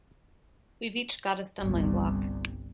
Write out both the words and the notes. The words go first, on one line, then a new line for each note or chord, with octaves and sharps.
We’ve each got a stumbling block.
G1 C2